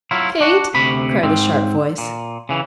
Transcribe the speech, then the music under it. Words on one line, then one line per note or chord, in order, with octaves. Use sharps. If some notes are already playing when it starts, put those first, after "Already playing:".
"Kate?" cried a sharp voice.
F#3 E4 F4
D4 F#4
D2 C3 B5
G#2 C4
A#2
C#3 E3